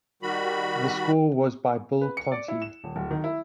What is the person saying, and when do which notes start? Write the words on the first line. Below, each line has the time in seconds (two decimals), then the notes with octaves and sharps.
The score was by Bill Conti.
0.23 D#3 G3 F#4 B5
2.01 B4
2.17 C#7
2.32 D5
2.48 E4
2.62 E7
2.84 D#1
2.96 D1
3.11 D#3
3.24 E4